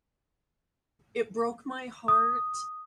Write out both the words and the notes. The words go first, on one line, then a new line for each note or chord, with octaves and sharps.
it broke my heart
D#6